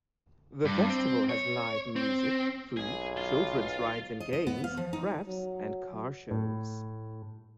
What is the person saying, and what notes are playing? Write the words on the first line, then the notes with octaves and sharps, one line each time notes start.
The festival has live music, food, children's rides and games, crafts and car shows.
G2
C4
C#5
C4
B1 G#4
F4
D#5
D#5
B3
F5
F3
D#4
F#3
A2